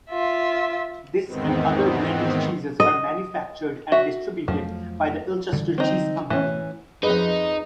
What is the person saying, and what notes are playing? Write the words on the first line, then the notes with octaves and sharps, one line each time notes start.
This and other blended cheeses are manufactured and distributed by the Ilchester Cheese Company.
F4 E5
E2 G#2 D#3 B3 C4
D#5
F#4 E5
F2 F3 F#3 A3
D3 E3 G3
C4 D#4
A2 E3 C#4
F2 D#4 G#4 B4 D#5